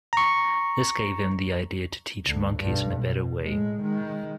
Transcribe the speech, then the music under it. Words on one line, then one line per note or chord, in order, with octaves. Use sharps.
This gave him the idea to teach monkeys in a better way.
A#5 C#6
D2
B1 G2
B2
A2 G#3
D#3 G#3